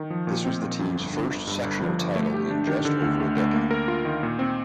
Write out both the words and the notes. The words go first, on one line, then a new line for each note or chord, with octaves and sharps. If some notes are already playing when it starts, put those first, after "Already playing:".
This was the team's first sectional title in just over a decade.
Already playing: D#3
F3
A#2
C4
A#2
F2
G1
D3
G1
G2
G1
F3
G1
A3
G4
D4
D#3
D3
D2
A3
D2
A#3
A#4
F4
D#3
A#2
C4